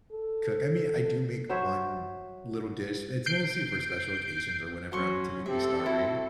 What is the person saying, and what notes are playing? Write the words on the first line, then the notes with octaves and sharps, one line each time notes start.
cook. I mean, I do make one little dish, but it's mostly for special occasions or whenever I'm typically starving,
A4
F#3 C5 C#5 E5
G6 C7 D7
F#3 C#4 F#4 F#5 C6 C#6
C4 G4 A4 E5
E4 F#4